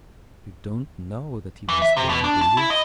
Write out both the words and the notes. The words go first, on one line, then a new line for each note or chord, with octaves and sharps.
You don't KNOW that he was drowned, do you?
E3
E5
C3
B2
D4
A5
E4
D#5